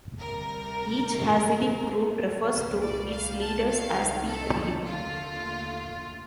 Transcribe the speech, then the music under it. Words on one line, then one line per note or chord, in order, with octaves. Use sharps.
Each Hasidic group refers to its leader as "the rebbe".
D2 C3 G3 A#4
A2 A3
C2 A#2 G3 C5
D5
F5
A5
C2 C3 D#3 A3 F5
A4
D#2 D3 A3 F4